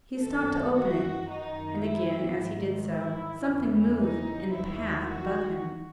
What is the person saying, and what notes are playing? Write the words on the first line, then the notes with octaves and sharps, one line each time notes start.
He stopped to open it, and again, as he did so, something moved in the path above him.
F#2 D#3 A4
F#4
F#2 D#3 D#4
E4
G#2 D#3
E4
E2 C#3 E3
D#4
D#2 D#3 E4
F#4